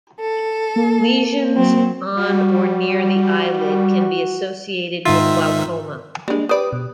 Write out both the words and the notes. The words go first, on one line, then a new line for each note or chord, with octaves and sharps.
Lesions on or near the eyelid can be associated with glaucoma.
A4
A#3
F#3 C4
G3 F#4
G#2 D#3 F4 E5
G3 G#3 A#3 D4
G4 B4 C5 D5 D#6
B2